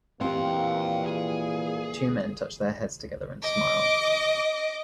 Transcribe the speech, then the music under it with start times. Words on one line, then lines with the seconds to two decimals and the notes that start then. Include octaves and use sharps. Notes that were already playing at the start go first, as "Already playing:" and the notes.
Two men touch their heads together and smile.
0.21 A#2 E3 A#3 C4 G4 F5 G5
1.06 G#4
3.43 D#5 D6